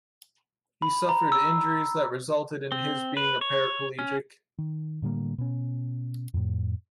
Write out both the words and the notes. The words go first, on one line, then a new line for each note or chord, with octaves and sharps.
He suffered injuries that resulted in his being a paraplegic.
B5
A#5
E6
C4
B4
C#5
C#4
D#3
A2 D3 G3 A#3
B2 C#4
F2 A2